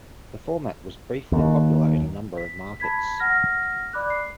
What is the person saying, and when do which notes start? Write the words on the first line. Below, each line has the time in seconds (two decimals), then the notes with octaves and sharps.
The format was briefly popular in a number of markets.
1.32 D#2
2.37 B6
2.80 A5 B5 G#6 B6
3.20 F#5 F6 A#6
3.93 D5 B5 D6 F#6
4.10 C7